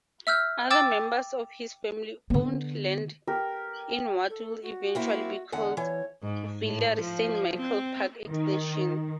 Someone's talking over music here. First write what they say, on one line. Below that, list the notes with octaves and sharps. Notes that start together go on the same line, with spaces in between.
Other members of his family owned land in what would eventually be called Villeray-Saint-Michel-Parc-Extension.
E5 E6 F6 G6
G5 D6 E6 A6 E7
D3 B3
G4 A#4
A4
F#4
A#3 C4 E4
E2 D3 F#5
E3 C#5
G#2
A2
F3
C4
D#3